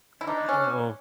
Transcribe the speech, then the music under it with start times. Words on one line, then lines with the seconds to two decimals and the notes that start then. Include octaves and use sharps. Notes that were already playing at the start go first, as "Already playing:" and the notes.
I I know.
0.21 E4
0.26 D4 D#4
0.49 C#4